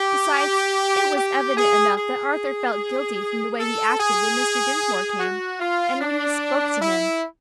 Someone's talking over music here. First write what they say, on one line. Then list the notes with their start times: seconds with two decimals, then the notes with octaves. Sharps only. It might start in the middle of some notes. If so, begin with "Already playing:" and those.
Besides it was evident enough that Arthur felt guilty from the way he acted when Mr. Dinsmore came, and when he spoke to him.
Already playing: G4
1.16 G4
1.56 G#4
1.97 G#4
3.58 A4
3.99 G#4
5.19 F#4
5.60 F4
6.01 D4
6.81 E4